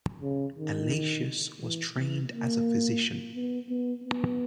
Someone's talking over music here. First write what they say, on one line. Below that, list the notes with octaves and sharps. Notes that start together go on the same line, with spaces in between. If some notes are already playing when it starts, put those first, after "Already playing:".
Allatius was trained as a physician.
C#3
D#3
E3
E3
A#3
B3
B3
B3